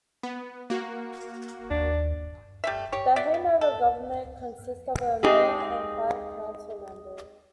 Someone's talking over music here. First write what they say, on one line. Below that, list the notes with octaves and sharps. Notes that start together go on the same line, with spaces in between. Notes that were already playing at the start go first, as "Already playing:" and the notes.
The Hanover government consists of a mayor and five council members.
B3
A#3 F#4
D#2 D4
G3 A3 E5
G4 C#5
F#3 D5 E5
B3
A4
G#3 C4 D#4 G4 G#4